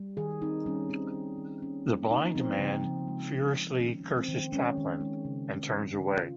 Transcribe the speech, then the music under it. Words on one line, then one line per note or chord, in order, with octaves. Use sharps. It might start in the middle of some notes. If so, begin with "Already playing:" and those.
The blind man furiously curses Chaplin and turns away.
Already playing: G3
D#3 G#4
C4 D#4
G3 C#4
D#3 C4
D#3
D#3
A#3 C#4
A#3
A#3 D#4
F3 C4
C#3
F3
G#3
C4
C#3
D#3 C#4
G#3
C4
D#3
G#3 C#4
D#3
G#3
C#3
C#3
G#3
C#3 C#4
F4